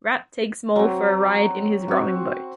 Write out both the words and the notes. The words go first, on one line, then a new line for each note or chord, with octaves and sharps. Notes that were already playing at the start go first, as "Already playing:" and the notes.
Rat takes Mole for a ride in his rowing boat.
F#3 C4
C4 F#4